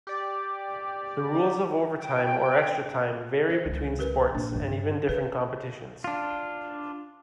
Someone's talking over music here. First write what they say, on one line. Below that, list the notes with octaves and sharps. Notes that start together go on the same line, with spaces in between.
The rules of overtime or extra time vary between sports and even different competitions.
G4 D5
G5
C5
C#2 D#3
G4 A#4 B4
A#1 D4
G2 D3
C#3 B4
D4 F4